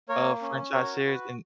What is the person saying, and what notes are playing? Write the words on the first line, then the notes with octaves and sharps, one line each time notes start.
uh, franchise series, and
A#3 A#4 C#5
C#4
F#4 A#4 C#5
F#4 B4